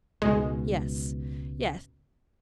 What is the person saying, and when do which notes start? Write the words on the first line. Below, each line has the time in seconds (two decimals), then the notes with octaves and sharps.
Yes, yes.
0.22 C#2 G#2 B2 G#3